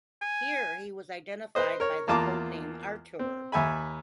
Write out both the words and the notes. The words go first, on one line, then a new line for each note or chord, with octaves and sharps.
Here he was identified by the code name "Artur".
G#5
B4 C5 D#5
A#4 C#5
E2 A#3 F4 A5 A#5 D6
C4
D#2 E5 G#5 B5